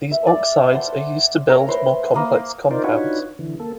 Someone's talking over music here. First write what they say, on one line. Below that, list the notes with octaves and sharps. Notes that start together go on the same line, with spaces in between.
These oxides are used to build more complex compounds.
E5
D5
C5 F#5 A5 C6
A3 A#4 C#5
B4 C5
A#3 D#6
D#4 F4 A#4 C5 D5
D4 D#4 F4 F#4 B4 C#5
D3 E3
A#3 A4